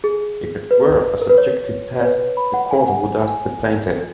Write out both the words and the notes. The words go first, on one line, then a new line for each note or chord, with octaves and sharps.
If it were a subjective test, the Court would ask the plaintiff.
G#4
B4
A#4
B4
C#5
C#5
B4
B5
F#5
G#5
F#5
G#5